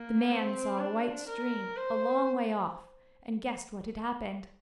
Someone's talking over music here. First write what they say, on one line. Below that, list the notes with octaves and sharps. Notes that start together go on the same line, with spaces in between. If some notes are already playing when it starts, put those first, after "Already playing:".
The man saw a white stream a long way off, and guessed what had happened.
Already playing: A#3
C4
D4
A#4
C5